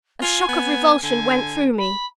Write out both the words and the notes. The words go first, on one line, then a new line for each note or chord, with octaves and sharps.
A shock of revulsion went through me.
F4 G#5
B3
D3 G#5
B5